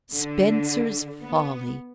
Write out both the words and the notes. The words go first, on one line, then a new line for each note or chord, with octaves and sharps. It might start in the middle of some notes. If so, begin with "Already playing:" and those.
Spencer's Folly!
D3
B3